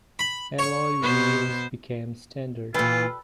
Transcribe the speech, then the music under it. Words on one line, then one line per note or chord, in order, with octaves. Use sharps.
Alloy wheels became standard.
B5
C#5 C#6
B2 B3 C5
A#2 E3 G3 F4 A4 B4